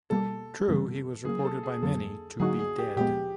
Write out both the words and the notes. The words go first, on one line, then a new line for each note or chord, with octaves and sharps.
True he was reported by many to be dead.
B2 G3 A#3 A4
F#2 C#3 E3 G3 B3
C#3 F#3 A#3 G#4
A4
G#4
F2 D3 F#3 A#3 A4
D3 F#3 A#3 D#4 F#4 G#4
G#4
G4
A#2 F3 G#3 B3 G4